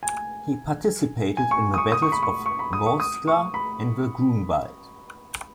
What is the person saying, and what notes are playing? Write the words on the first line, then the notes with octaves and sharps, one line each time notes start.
He participated in the Battles of Vorskla and the Grunwald.
G#5
G#5
C#6
D#6
C#6
D#6
C#6
B5
C#6
C#6
B5
D#6
C#6
D#6
C#6
B5